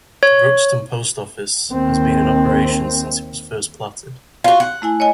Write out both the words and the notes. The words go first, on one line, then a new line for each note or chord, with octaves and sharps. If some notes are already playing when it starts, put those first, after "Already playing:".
The Brookston post office has been in operation since it was first platted.
C#5
D#2 C4
F4 F#4
F#5
A3 E4 G#5
C#5 D#5 G#5